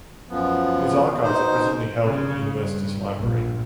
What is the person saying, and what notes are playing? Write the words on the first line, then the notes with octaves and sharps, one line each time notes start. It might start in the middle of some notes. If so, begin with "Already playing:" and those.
His archives are presently held in the university's library.
F#2 F3 B3
B2 D#4 C5
C#3
G2
A#1